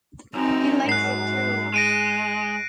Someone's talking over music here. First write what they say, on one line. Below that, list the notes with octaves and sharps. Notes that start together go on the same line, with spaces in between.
He likes it too.
F#2 C4 D#4
G#2 F#6 C7
G#3 A#6 D7 D#7